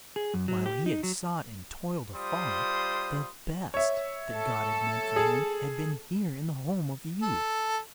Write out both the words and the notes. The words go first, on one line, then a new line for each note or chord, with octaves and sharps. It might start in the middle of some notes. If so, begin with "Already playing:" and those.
While he had sought and toiled afar, the best that God had meant for him had been here in the home of youth.
G#4
F#2
F#3
G4
D#4
F#3
G3 F4 C5 C6 D#6
C#5 E5
A4
G#4
A4